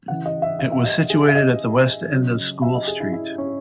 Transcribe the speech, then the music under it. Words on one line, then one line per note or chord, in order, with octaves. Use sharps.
It was situated at the west end of School Street.
C#3 E3 F#5
D#5
E5
E5
E5
D#5
G#4
E5
D#5
C#3 F#3
E5
D#5
G#4
E4
E4
C#4